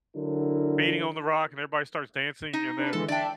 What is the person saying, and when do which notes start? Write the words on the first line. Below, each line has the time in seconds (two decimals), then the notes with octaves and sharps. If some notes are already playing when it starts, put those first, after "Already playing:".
beating on the rock and everybody starts dancing and then
0.16 D3 F#3 D4 E4 A#4
2.53 D#4
2.78 D4 B4
2.93 D3 E3 G#3 A4
3.08 D4 D5 E5 G5 A5